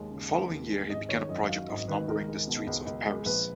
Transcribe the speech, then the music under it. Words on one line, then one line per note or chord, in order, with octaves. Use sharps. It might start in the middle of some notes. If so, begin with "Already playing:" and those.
The following year, he began a project of numbering the streets of Paris.
Already playing: D#2 G#3 C#5
C#3
D#2
D#2
G#3
G#1 D#5
D#3 C#5
F#2 D#5
F#3 F5
G#1 D#5
D#3 B4
C#2 A#4
G#3
B2
C#2
C#2
G#3
A#1 B4